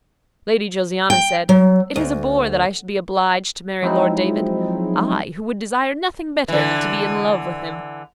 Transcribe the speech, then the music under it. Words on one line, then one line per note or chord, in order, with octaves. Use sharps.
Lady Josiana said, "It is a bore that I should be obliged to marry Lord David; I, who would desire nothing better than to be in love with him!"
G5
F#3
D2
F3 F#3 G#3 C4 D#4 E4
D3 E3